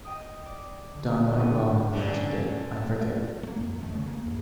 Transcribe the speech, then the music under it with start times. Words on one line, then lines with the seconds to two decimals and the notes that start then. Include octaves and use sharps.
Don might well have mentioned it; I forget.
0.05 D#5 G5 D#6
0.46 D5
0.93 D3
1.37 D4 E4 F#5 G6 A6 D#7
1.93 D3 F#3 C#4
3.43 A3 A#3
3.61 F2
3.81 A1 D#3 A3
3.93 C#3
4.07 A#3
4.25 E2 G2